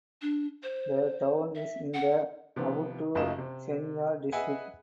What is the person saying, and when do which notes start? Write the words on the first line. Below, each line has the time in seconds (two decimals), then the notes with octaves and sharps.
The town is in the Awutu Senya district.
0.22 D4
0.63 C5
1.55 E5
1.94 F#5
2.56 C3 D#3 F3 B3
3.15 F#1 F#2 A3 F4 D#5 E7
3.38 C3
4.32 G#4 B4 D#5 E5 F#5 G#5